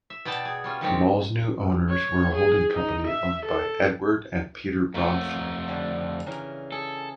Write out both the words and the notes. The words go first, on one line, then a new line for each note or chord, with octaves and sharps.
The mall's new owners were a holding company owned by Edward and Peter Bronfman.
E5
B2 B3 D5 G5 A5
G#4
G3 C#4 F4
D3 D#3 F#3 G#3 C4 G4
C#5
G#4
D#4
E5
A4
F2 A3 A#3 C#5 F#5
D3 G3 D4
C#3 E3 A#4
G#4 A4